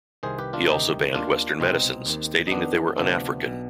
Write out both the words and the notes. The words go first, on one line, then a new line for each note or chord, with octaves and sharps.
He also banned Western medicines, stating that they were un-African.
C2 C3 D#3 G#4 C5
G4 B4
D4 F4
D2 C3 D#3 D#4 G4
D#2 D#3 D4 F4
C2 B2 C4 D#4
D#2 D#3
D#4
F2 D#3 B3 D4
D2 C3 F3 B3 D4
B1 B2